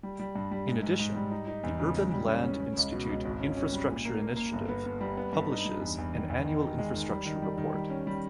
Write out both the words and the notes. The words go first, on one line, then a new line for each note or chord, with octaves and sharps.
In addition, the Urban Land Institute Infrastructure Initiative publishes an annual infrastructure report.
G3
G3
G2
G3
G#2
G#2
G#2
G3
D#4
D#4
E2
C#3
G#2
G3
C#4
C#4
C#4
C#2
B2
C#2
G#1
C#4
C#4
G3
A#2
A#3
A#3
A#3
G1
B3
B3
G3
B3
G2
D#4
G2
E2
E2
D#3
E2
D#3
D#3
G#3
D#3
G3
D#3
G3
D#3
G3
C#4
G3